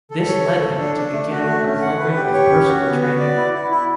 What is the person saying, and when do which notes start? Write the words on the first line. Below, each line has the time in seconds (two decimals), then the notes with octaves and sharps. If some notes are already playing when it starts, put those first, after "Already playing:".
This led him to begin a program of personal training.
0.11 A4
0.28 C#5
0.44 A4
0.62 A4
0.79 D4
0.97 D4
1.14 A3
1.30 F#4
1.47 A3
1.65 C#4
1.82 F#5
1.99 B4
2.17 G4
2.33 C#5
2.50 C#4
2.68 F#4
2.85 B3
3.02 F#4
3.19 D5
3.36 E4
3.54 E4
3.71 E4